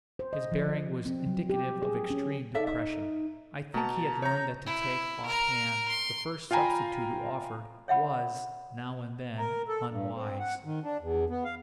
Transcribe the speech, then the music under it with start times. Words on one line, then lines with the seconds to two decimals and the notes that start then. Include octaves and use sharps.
His bearing was indicative of extreme depression. I think he had learned that to take, off-hand, the first substitute who offered, was, now and then, unwise.
0.19 C5
0.33 D#5
0.52 F3
1.06 C4
1.27 F#3
1.50 G4
1.83 G#4
2.10 C#4
2.54 D#4 A4 D5 E5
2.67 E5
3.74 B2 A5 A#5
4.22 C#5 A#5 G6
4.66 E4
5.25 A#4 A#5
5.88 C6
6.51 F4 F5 G5 G#5 A#5 B5
7.88 C#5 E5 F#5 B5
9.38 A#4
9.68 A4
9.90 G2
10.14 C4
10.39 F#5
10.65 D#3
10.83 D4
11.00 E2
11.30 B3
11.45 F5